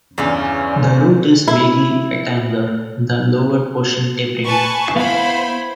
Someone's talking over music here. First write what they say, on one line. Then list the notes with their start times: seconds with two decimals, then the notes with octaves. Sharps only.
The root is vaguely rectangular, with the lower portion tapering.
0.18 E2 G2 C#3 E3 C#4 F4 D5
1.48 E4
4.44 B4 G#5 A5 C#6
4.96 B3 E4 C5 F5 B5